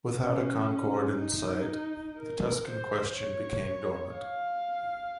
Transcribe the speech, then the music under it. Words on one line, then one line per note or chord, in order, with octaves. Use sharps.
Without a concord in sight, the "Tuscan question" became dormant.
C#4
D#4
A#4
C5
C#5
F5